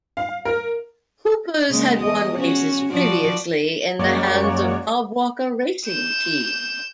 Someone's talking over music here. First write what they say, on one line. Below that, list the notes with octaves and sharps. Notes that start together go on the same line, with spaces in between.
Coopers had won races previously in the hands of Rob Walker Racing Team.
F5
A#4
C#3 G#3 A#3
E2 D#5
C#4 F#4
F3 F#4 D5
F#2 G#3 A#3 F#4 C#5 D5
G6 E7